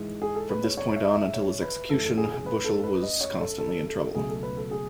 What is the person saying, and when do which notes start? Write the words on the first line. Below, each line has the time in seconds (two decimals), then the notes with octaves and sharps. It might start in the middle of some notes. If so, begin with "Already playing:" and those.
From this point on until his execution, Bushell was constantly in trouble.
Already playing: G#2 E3 G#3
0.22 G#4
0.35 A4
0.49 B4
0.64 C#5
0.77 C#5
0.96 E5
1.15 E5
1.34 C#5
1.62 B4
1.90 F#2 E3 A3 C#4 A4
2.05 A4
2.18 G#4
2.32 G#4
2.46 B4
2.64 A4
2.83 B4
3.03 D#5
3.21 C#5
3.40 A4
3.58 A4
3.86 A4
4.15 C#2 B2 F#3 A3 G#4
4.29 A4
4.43 B4
4.57 A4
4.71 G#4